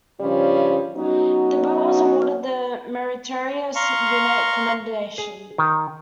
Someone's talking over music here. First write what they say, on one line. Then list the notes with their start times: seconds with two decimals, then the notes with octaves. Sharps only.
The boat was awarded the Meritorious Unit Commendation.
0.21 G2 C#3 F3 G3 C#4 F4
0.96 F#3 B3 C#4 D#4 F#4
3.75 F5 A#5 C6 C#6
5.18 G#4
5.58 D#3